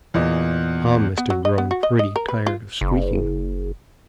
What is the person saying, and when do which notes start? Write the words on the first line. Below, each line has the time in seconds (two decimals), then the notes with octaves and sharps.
Tom must have grown pretty tired of squeaking.
0.14 E2 A#2 D#5
1.18 B3
1.30 F#3
1.45 D#5
1.58 B3
1.71 F#4
1.83 D#5
1.99 D#5
2.16 A#4
2.28 B4
2.47 F4
2.81 F#1